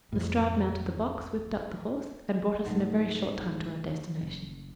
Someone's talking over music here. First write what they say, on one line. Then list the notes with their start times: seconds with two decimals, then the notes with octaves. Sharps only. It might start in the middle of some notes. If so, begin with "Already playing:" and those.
Lestrade mounted the box, whipped up the horse, and brought us in a very short time to our destination.
0.12 F2 A2
2.66 C2 G#2 D#3 F#3 A3
4.21 F#1